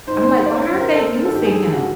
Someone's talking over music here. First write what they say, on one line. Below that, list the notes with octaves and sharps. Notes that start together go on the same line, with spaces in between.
I'm like, "Why aren't they using him?"
G#2 D#3 C5
C5
C5
D5
C#5
F#2 D3 C5
A#4
A4
G2 D#3 A4
G4
G#4
F#4